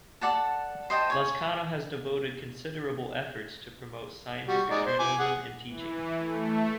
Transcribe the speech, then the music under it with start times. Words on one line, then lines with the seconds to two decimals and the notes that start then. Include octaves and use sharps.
Lazcano has devoted considerable efforts to promote scientific journalism and teaching.
0.21 A4 D5 F#5 A5
0.90 C5 D#5 G5 A5
1.10 C#5 G#5
4.48 G3 F#4
4.70 G#3 D#4 D5
4.86 C5
4.99 G#5 D6
5.20 G#4 F#5
5.69 E3
6.16 A3